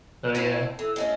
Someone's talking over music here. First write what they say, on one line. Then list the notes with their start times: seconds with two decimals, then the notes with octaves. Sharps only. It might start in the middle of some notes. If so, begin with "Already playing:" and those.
So, yeah.
0.35 A3 C4 E4
0.79 E3 A4
0.96 G#3 A3 C#4 D#5